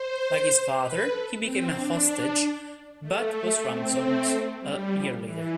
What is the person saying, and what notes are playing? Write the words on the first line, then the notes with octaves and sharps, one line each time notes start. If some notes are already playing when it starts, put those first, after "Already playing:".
Like his father he became a hostage but was ransomed a year later.
Already playing: C5
C5
B4
A4
C4
D4
A3
C4
A3
G3
F3
E3